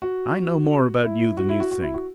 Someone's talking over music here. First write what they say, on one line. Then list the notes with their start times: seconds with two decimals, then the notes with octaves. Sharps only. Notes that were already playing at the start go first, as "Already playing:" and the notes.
I know more about you than you think.
0.02 F#4
1.04 E4
1.37 F#4
1.49 E4
1.60 F#4
1.71 F#4
1.82 E4
1.94 F#4